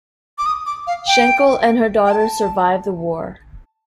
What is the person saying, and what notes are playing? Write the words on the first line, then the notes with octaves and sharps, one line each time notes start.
Schenkl and her daughter survived the war.
D6
D#6
D6
F5
G5
G5
A5